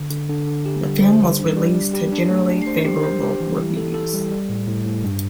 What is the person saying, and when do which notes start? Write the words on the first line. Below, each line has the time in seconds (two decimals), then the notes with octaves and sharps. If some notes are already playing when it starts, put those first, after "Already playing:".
The film was released to generally favorable reviews.
Already playing: D3
0.10 D3
0.29 D3
0.47 D3
0.66 G4
0.84 G3
1.02 C5
1.20 G3
1.39 D4
1.57 G3
1.75 G3
1.94 G4
2.12 D4
2.30 A3
2.49 D4
2.67 C5
2.85 G4
3.03 C5
3.21 G4
3.40 E3
3.59 E4
3.77 A4
3.94 A4
4.14 G3
4.31 G3
4.49 A2
4.67 A2
4.86 A2
5.04 G2